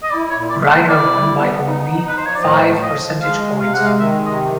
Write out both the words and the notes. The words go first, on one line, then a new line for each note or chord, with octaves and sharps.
Grider won by only five percentage points.
D#5
E4 D5
C#5
A#2
D5
E4
D5
E4 D5
G3
B3
D#4
D#4
B4
F3 C5
C#5
D5
A2 D#5
F3
D#5
F3
G#3 F5
C3
F5
G#3 F#5
F5
D#3 E5
C3 D#5